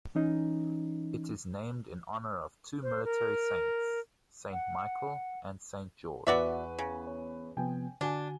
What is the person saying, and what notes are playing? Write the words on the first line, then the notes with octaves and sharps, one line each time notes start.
It is named in honour of two military saints, Saint Michael and Saint George.
E3 C#4 D#4
C5
A#4
F#5
E2 F#4 B4 D5 E5 F#5 C#6
C#3
C#5
C3 F3 B3 G5 G#5
D3 D4 F#4 G#5 G7